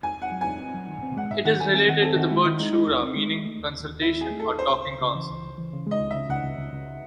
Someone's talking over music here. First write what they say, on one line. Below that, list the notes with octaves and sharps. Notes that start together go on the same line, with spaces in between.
It is related to the word shura, meaning consultation or "taking counsel".
E2 G#5
E2 F#5
F#3
E2 G#5
C4
F#3
D#3
C4
G#3 F#5
G#2 E5
D#3 F#5
D#3 G#5
C4 G#5
D#3 F#5
C4 A4
D#3 F#4
G#3 E4
D#3 E4
G#3 D#4
G#3 D#4
D#2
C4
G#3
G#3
A3
D#2
D#2
D#2
D#2 E4
D#2
G#4
A3
A4
D#2
C#2 C5
C#2
C#2
C#3
E3
C#2
C#2
E3
C#3
G#3 D#5
C#2
C#3 E5
C#2 F#5
C#2
C#2
C#2